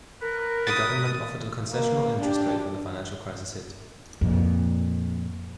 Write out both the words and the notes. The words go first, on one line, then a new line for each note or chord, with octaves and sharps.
The government offered a concessional interest rate when the financial crisis hit.
A#4 B4
D#6 A6
A#3
D4 G4
F2 A#2